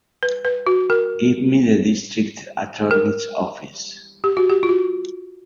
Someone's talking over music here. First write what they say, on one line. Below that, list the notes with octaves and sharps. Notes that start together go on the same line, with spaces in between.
Give me the District Attorney's office.
B4
B4
F#4
A#4
A#4
G4
F#4
G4
F4
F#4